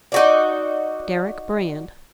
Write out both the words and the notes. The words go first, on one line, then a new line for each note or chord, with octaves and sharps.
Deryck Brand.
D#4 F#4 D5